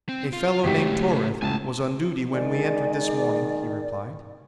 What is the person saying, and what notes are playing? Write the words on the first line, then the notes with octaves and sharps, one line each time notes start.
"A fellow named Torith was on duty when we entered this morning," he replied.
C4
F4
G#1 C#3 A3 G4 B6
C#2 A2 G#5 A5
D#3 G#3 G#4 D5